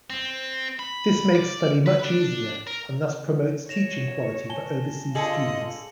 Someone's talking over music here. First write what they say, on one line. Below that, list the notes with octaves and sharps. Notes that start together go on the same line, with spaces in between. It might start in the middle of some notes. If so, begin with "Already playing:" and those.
This makes study much easier, and thus promotes teaching quality for overseas students.
C4
B5
D5
B4
D4
A#4
C#5 A#6 E7 F7
G#5 A5 G7
D3 F4 G#4 A4 D#5 C#7 F#7